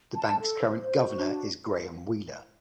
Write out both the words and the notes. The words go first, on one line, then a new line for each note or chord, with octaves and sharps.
The Bank's current Governor is Graeme Wheeler.
A5
A4
C5
F#4
D4